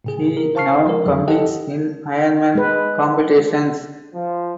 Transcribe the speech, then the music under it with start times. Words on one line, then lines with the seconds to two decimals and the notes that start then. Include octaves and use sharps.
He now competes in Ironman competitions.
0.04 A2 C#3 G#4
0.37 A#4
0.55 C5 F5 A5 C#6 F6 C7
0.85 F3 G#3 A#4
1.04 F2 D3 F#3
1.28 G4 A4 D#5 F#5 G5
2.55 G#3 B4
4.14 F3